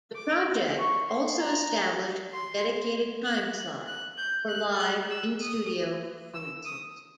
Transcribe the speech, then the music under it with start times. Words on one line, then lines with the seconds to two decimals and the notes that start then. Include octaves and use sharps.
The project also established a dedicated time-slot for live in-studio performances.
0.15 D6
0.78 C#6
1.08 C6
1.39 A#5
2.32 C6
3.25 F#6
3.56 F#6
3.87 F#6
4.18 G6
4.48 F#6
4.79 F#6
5.11 E6
5.42 D#6
6.35 E6
6.65 D#6